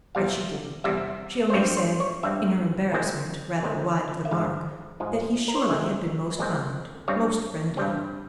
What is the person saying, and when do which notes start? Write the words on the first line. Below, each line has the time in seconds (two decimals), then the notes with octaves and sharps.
But she didn't; she only said--in her embarrassment rather wide of the mark--that he surely had been most kind, most friendly.
0.15 E2 C3 G3 F5
0.84 E2 C3 G3 E5
1.50 C5
1.53 G2 G3 C4 C#5
1.77 C5
2.00 C#5
2.23 G2 G3 C4 E5
2.92 A#2 G#3 C4
3.62 A#2 G#3 C4
4.25 E5
4.31 G#2 F3 G#3 F5
5.00 G#2 F3 G#3
5.48 A#4
5.55 C5
5.62 C#5
5.69 A#2 G#3 C4 E5
6.39 A#2 G#3 C4
7.08 G2 G3 C4 C#5
7.77 G2 G3 C4